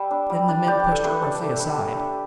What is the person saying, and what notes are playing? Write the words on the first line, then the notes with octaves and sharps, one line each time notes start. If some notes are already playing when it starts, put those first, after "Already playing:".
Then the men pushed her roughly aside.
Already playing: G3 B4 E5 A5
D4
G3
D4
G3 D5 G5
G4
D4
A4
A3 G4 B4
D4 A4
A3 G4 B4
E5 A5
D4 G5 B5
E5 A5
A3
D4 G4